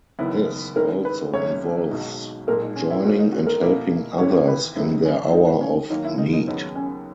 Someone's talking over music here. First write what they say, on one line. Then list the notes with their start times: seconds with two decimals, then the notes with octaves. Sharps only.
This also involves joining and helping others in their hour of need.
0.19 F#1 E2 D#3 F#3 B3 E4
0.76 G#2 D#3 G#3 C#4 E4 A#4
1.05 B4
1.33 G#1 F#2 C#3 F#3 C#5
1.91 B1 B2 G#3 D#4 F#4
2.47 B1 A#2 G#3 A#4
2.62 D#4
2.76 C#4
2.90 E4
3.04 G#2 E3 A#3 C#4 F#4
3.19 D#4
3.32 F#4
3.47 A#4
3.61 B2 A#3 E4
4.19 G#1 G#2 E3 G#3 C#5
4.48 B4
4.75 F#2 D#3 G#3 B3 E4
5.05 C#4
5.32 D#2 D#3 G#3 D#4
5.61 C#4
5.90 D#2 D#3 F#3 A#3 D#4
6.05 E4
6.18 D#4
6.33 D#4
6.47 D#2 C#3 F#3 B3 D#4
6.75 C#4